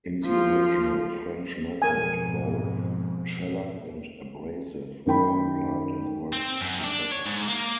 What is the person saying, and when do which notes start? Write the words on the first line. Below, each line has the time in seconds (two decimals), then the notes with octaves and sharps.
In the original 'French Method', both shellac and abrasive are applied and worked together.
0.25 F3 F4
1.82 F2 G#2 B2 A#4 G#5
5.06 F#2 D#3 G5 B5
6.33 C4
6.61 F#2
6.84 D4
7.12 C#5
7.26 G#2
7.48 A#3